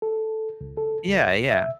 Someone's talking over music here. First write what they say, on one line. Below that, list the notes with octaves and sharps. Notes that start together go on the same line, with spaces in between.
Yeah, yeah.
A4
C#2
A4
C#2
E5